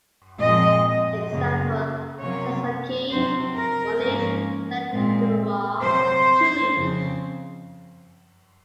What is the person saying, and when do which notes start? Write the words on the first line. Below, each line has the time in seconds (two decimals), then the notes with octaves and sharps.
Example: "sansakey", one each; "sanderua", two each.
0.39 A#2 F3 G#3 C4 D#5
1.29 F#2 C#3 F#3 A#3
2.19 C3 F#3 A#3 C#4 C#5
3.10 C3 F#3 C4 C5
3.55 A#4
4.01 G#2 F3 A#3 C#4
4.91 A#2 G#3 C4
5.82 C3 F#3 C4 C5
6.72 F2 C#3 F3 C4